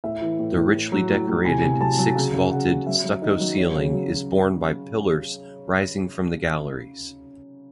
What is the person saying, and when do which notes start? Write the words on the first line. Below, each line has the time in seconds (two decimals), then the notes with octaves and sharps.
The richly decorated six-vaulted stucco ceiling is borne by pillars rising from the galleries.
0.04 A2 E5
0.22 E3
0.39 A2
0.57 A2
0.74 A2
0.92 F#3
1.10 A2
1.28 A2
1.45 C3 G#5
1.63 C3
1.80 F#3 A5
1.98 F#3
2.16 C#3
2.33 C#3
2.51 C#3 F#5
2.69 C#3
2.87 F#3 E5
3.04 F#3
3.22 D#3 D#5
3.40 F#3
3.57 F#3 C#5
3.76 C#3
3.93 F#3
4.11 F#3